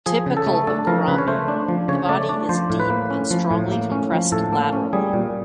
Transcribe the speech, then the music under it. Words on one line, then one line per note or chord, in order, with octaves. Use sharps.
Typical of gourami, the body is deep and strongly compressed laterally.
F3 G#4
C#3
A4
A3
D4 A4
F3 A#4
C#3 B4
C#5
A3 C5
D4
F3
C#3 C#5
A3 D5
D4 D5
F3 C5
A2
B4
A#3
C#4
F3
A2
A#3
C#4
F3
A2 A4
A#3
C#4
G3 G#4
A#2